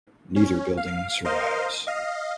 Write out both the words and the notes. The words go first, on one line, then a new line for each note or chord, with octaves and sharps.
Neither building survives.
C#4
F5
A#4 C5 D#5 F5 C6
D#5 F5